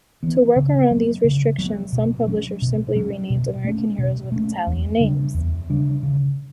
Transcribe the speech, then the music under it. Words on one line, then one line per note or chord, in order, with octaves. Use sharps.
To work around these restrictions, some publishers simply renamed American heroes with Italian names.
E3 B3
C#3
F#3 B3
C#3
F#3 B3
B2
F#3 C#4
B2
F#3 C#4
B2
A3 C#4
B2
A3 C#4
E2
C#3 G3 D4
E2
C#3 G3 D4
C#3